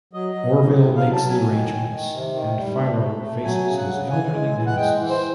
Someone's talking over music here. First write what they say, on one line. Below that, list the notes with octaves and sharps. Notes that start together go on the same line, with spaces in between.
Orville makes the arrangements, and Philo faces his elderly nemesis.
F#3 D#5
F#3
A2
A2
F#3 F5
A5
F#3
G#5
D#3
D#3
D#3
C3
D#3
G3
A3
A3
A3
F#3 G#5
C#3
F#5
C#3
E3 G#5
G#3
E3
F#5
G#3 G5
E3
C5